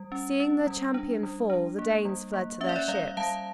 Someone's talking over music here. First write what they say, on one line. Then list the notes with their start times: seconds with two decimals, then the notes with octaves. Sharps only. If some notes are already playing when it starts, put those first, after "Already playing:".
Seeing their champion fall, the Danes fled to their ships.
Already playing: G3
0.12 C#4
0.40 C#4
0.67 G3
0.94 D4
1.23 G3
1.50 D4
1.79 A#3
2.05 G3
2.34 A#3
2.61 C#4 E5
2.69 D5
2.76 C#5 E5
2.88 G3 D5 F5
3.17 G3 F5 A5